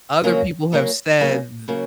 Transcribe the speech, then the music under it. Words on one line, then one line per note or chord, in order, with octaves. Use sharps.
Other people have said, "Th
C#3 F#3 A#3
C#3 F#3 A#3
C#3 F#3 A#3
C#3 F#3 A#3